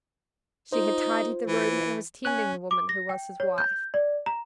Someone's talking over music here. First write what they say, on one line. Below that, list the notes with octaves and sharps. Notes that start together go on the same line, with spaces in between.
She had tidied the room and was tending the woman who was his wife.
D#4 F4 C5
E3
C#4 G#5 F#6
D6
A#6
G5
C#5
G6
D5
A#5